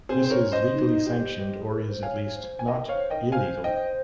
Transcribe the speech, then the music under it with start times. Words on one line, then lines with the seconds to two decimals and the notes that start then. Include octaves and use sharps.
This is legally sanctioned or is, at least, not illegal.
0.09 C4 G#4 C5
0.24 C5
0.30 A#4 C#5
0.42 C#4
0.52 C5 D#5
0.73 D#4
1.07 G4
1.38 G4
1.61 G#4
1.75 A#4
1.89 C5
2.03 C#5 F5 G#5
2.24 C#5
2.35 C5
2.59 G#5
2.67 A#4 D#5 G5
2.89 C5 C#5 F5
3.10 A#4 D#5 G5
3.32 C5 F5 G#5
3.64 C5 D#5 G5